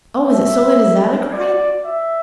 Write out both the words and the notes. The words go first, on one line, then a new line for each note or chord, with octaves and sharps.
"Oh, is it so late as that?" I cried.
E5
D5
E5